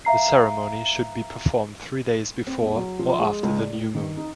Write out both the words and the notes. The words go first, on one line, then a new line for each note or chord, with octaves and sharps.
The ceremony should be performed three days before or after the new moon.
E5 F5 A#5 C7
C4
E2
F#3
F3
G#3
C#2
D5
A2
D#3
D#4